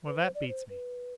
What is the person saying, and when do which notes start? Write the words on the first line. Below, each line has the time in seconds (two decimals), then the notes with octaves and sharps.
Well, that beats me.
0.06 B4
0.20 C5
0.35 D5
0.49 C5
0.70 B4